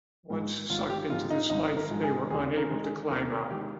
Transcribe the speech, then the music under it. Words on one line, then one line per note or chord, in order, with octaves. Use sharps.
Once sucked into this life they were unable to climb out.
G#2 F3 G#3
G#1 F4
G4
G#2 F3 G#3 F4
D#4
G#1 D#4
A#4
G#2 F3 G#3
G#4
D#2 G#4
A#4
D#3 G#3
G#4
D#2 A#4
A#4
D#3 G#3 G4